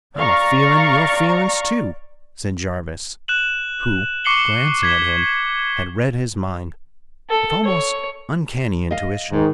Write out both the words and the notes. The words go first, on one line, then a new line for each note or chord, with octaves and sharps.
"I'm feelin' your feelin's too," said Jarvis, who, glancing at him, had read his mind with almost uncanny intuition.
D5 F5 A#5 C#6
F#6 E7 F#7
C#6 D6 C7 C#7 F#7 G7
G#6 B6 G7
A4
C#5
D#5 F5
G#2 D#3